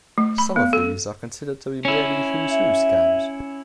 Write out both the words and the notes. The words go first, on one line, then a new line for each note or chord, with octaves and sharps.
Some of these are considered to be merely Who's Who scams.
A3
B5
B3
A4
C#4 E4
E5